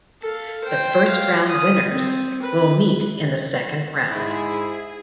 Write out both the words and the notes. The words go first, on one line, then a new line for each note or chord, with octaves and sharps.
The First Round winners will meet in the Second Round.
A4 F5
C5 G5
F5
D#6
C4
B4
G#2 E4 G#4